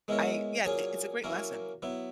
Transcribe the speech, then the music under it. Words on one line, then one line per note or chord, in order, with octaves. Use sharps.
I yeah, it's a great lesson.
G#3 B3 E4 A#4 C#5
A#2 F#3 C#4 G#4 C#5
F#3 A#3 C#4 E4 A#4
F#3 B3 E4